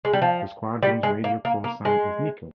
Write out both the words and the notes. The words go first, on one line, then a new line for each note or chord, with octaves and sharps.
The squadron's radio call sign is "Nikel".
G#3
G3
F3
G3
G#3
A#3
A#3
A#3
G#3